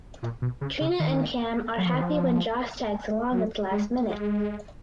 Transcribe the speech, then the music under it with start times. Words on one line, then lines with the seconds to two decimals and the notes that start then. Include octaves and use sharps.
Trina and Cam are happy when Joss tags along at the last minute.
0.23 A#2
0.42 B2
0.61 C#3
0.81 C#3
1.00 D#3
1.78 F#3
1.86 F3
1.94 D#3
2.02 F3
3.32 F#3
3.71 G#3
4.10 G#3